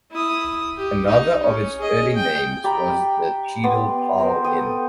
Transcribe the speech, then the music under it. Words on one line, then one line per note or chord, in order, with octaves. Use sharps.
Another of its early names was the Cheadle Plough Inn.
E4 D#6
G4
D#4
C#4
G#4 D#5
G5
G4 D5 A#5 B5
B3 D5 C6
B3 A#4 C5 A#5
A4 G5 D#6